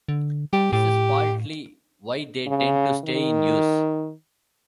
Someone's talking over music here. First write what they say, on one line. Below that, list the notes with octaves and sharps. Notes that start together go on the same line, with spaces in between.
This is partly why they tend to stay in use.
D3
G3 G4
A2 G4
C#3
D#3